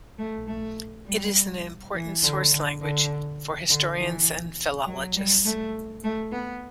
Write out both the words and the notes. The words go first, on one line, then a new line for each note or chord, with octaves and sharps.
It is an important source language for historians and philologists.
A3
A3
G3
E3
D3
D3
D3
D3
E3
F#3
G3
A3
A3
B3